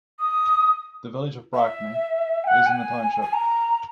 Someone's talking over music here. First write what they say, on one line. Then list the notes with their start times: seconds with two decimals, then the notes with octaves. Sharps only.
The village of Brackney is in the township.
0.19 D#6
1.54 E5
2.44 G#5
2.47 F#5
2.66 G#5
3.22 G#5
3.33 A#5